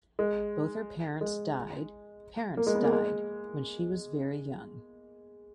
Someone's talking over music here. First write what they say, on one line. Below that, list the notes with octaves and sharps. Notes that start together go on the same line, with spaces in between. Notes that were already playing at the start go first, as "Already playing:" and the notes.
Both her parents died parents died when she was very young.
G#3
G#3
A#3
G#3
B3
A#3
G#3